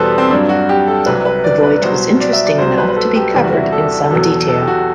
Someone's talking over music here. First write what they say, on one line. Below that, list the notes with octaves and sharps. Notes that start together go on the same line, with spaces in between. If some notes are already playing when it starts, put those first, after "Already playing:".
The voyage was interesting enough to be covered in some detail.
Already playing: E2 B2 G3 A4 B4 C5
C4
G2 F#3 D4
F#4
G4
A4
C2 C3 F#3 B4
B4
D5
B4
C2 B2 F#3 C5
D5
E5
D5
C2 B2 F#3 C5
B4
B4
A4
G4
E2 C3 E3 G3
F#4
E4
F#4
A4
E2 B2 F#3 A4
A4
G4
F#4